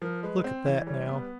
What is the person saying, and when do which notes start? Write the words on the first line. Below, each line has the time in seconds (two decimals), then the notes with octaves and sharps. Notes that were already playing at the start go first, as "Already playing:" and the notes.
Look at that, now.
0.02 F3 A#4
0.23 G#3 B4
0.44 C4 C5
0.65 E3 C#5
0.87 G3 C#5
1.07 B3 B4